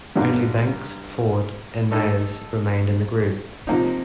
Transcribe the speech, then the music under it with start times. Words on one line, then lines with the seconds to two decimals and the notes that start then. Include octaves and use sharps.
Only Banks, Ford and Mayes remained in the group.
0.16 G2 D3 G3 A#3 D#4
1.91 A3 D#4 A4 D#5
3.67 C3 F3 A#3 D#4